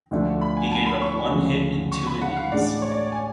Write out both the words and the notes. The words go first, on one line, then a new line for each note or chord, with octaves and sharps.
He gave up one hit in two innings.
D2 D3 F3 A3 D4
B5
G#5
A5
B5
C#6
D2 C#3 F3 G#3 C#4
C#6
B5
F#5
F5
A1 A2 G#3 D4 D5
C#5
D5
G#5